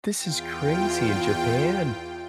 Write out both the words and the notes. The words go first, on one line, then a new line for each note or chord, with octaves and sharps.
This is crazy! In Japan?
E2 F4 G5